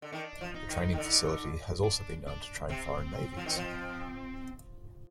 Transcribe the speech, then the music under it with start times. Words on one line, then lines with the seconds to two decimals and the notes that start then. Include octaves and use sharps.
The training facility has also been known to train foreign navies.
0.02 D3
0.12 D#3 D4
0.41 F3
0.55 D#4
0.69 D#3
0.93 D#3
0.98 D3
1.83 D4
2.27 D4
2.69 C3 C4
3.37 F3
3.46 D#3
3.57 F3